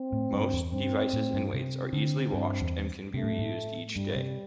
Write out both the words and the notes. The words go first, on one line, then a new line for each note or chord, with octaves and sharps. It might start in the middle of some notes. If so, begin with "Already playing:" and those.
Most devices and weights are easily washed and can be reused each day.
Already playing: C4
A2
G2
E2
G2 C4
A2
G2
C3 C4
D3
G2
E2
C3 A3
A2
G2
A2
G2 G3
C3